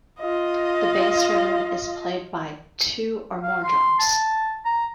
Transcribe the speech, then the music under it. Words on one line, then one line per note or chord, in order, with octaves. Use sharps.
The base rhythm is played by two or more drums.
F4 D#5
F5
C6
A5
A#5